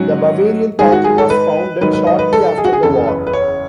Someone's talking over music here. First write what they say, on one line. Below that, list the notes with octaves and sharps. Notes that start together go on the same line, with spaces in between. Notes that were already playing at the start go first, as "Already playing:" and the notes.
The Bavarian Party was founded shortly after the war.
Already playing: G#2 F#3 C#4 F#4
G#2 D#3 G#3 G#4
F#4
G#4
A4
B4
G#2 D#3 F#3 B4
B4
D#5
B4
A4
G#4
F#4
G#4
F#1 E2 C#3 A4
B4
B4
C#5